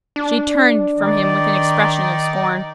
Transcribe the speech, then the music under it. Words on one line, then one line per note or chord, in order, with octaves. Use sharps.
She turned from him with an expression of scorn.
D4
D#3 D#4 D5